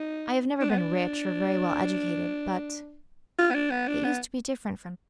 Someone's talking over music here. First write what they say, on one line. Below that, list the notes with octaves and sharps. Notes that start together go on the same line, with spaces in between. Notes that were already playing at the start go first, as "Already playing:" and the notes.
I have never been rich, or very well educated, but--it used to be different from now.
Already playing: D#4
D4
B3
D4
F4
B3
D4
B3
D4
B3